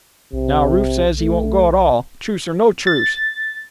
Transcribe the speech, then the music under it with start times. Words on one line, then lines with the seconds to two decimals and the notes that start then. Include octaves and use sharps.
Now Rufe says he won't go at all--truce or no truce.
0.33 B1 C3
1.19 A3
2.87 A6